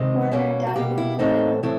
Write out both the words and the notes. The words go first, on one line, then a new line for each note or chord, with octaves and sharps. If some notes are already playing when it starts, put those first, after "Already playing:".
Werner died in Vienna.
Already playing: C3 D#3 G#3 C4
B2 G3 A#3 C#4
F#4
B2 G3 A#3 G4
E4
A2 E3 A3 C4 D#4
A2 E3 A3 C4 E4